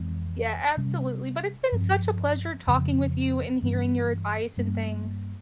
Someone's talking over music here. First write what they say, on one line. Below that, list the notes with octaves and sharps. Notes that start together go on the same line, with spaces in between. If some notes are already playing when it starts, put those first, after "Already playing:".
Yeah, absolutely, but it's been such a pleasure talking with you and hearing your advice and things.
Already playing: F2 E3 G#3 C4
C3 G3 C#4
G2 F3 C4
F2 C#3 F3
G2 E3 G3 C#4
G2 G3 A#3 C#4